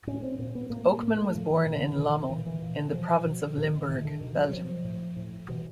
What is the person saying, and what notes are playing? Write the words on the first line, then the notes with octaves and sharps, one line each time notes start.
Oakman was born in Lommel, in the province of Limburg, Belgium.
A2 C#4
C4
A#2 C4
B3
A2 A#3
A#3
A2 A#3
A3
A2 F3
E3
A#2
D3
D#3
B2 D#3
D3
D#3
A#2 E3
E3
A#2
B2 F3
B2
A#2 D#3
D#3
A2 D#3
D3
B2 D#3
F#3
B2 F3
A2
A2
B2 E3